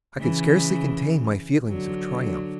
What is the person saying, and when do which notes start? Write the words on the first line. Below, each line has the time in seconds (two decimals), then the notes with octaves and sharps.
I could scarcely contain my feelings of triumph.
0.20 C#3 E3
1.69 D3 F#3